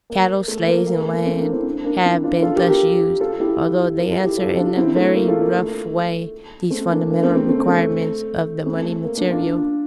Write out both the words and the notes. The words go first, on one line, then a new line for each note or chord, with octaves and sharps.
Cattle, slaves, and land have been thus used, although they answer in a very rough way these fundamental requirements of the money material.
A#3
A3
A#3
A#3
A3
A#3
A3 C4
A#3 D4
C4 E4
A#3 D4
C4 E4
D4 F4
F4 A4
G4 A#4
G4 A#4
F4 A4
E4 G4
G4 A#4
F4 A4
E4 G4
F4 A4
D4 F4
C4 E4
A3
A#3
F4 A4
A#3
A3
A3 C4
A#3 D4
A#3
A3 C4
A3 C4
A3 C4
A3 C4
A3 C4
A3
A#3
A#3 D4
D4 F4